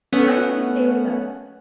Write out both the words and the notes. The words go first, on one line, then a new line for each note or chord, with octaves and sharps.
Why didn't you stay with us?
A3 B3 C#4 F#5